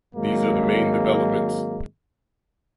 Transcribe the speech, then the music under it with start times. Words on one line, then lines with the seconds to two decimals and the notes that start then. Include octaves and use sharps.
These are the main developments.
0.16 G#1 F#3 G#3 A#3